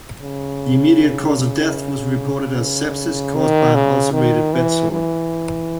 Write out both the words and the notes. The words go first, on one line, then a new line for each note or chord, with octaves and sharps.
The immediate cause of death was reported as sepsis caused by an ulcerated bedsore.
C#3
D#3
C#3
D#3
E3
E3